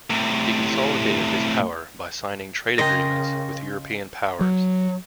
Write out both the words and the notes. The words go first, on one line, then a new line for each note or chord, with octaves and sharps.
He consolidated his power by signing trade agreements with European powers.
A2 C3
C#3 F4 A#4 D#5 G5 A#6
F#3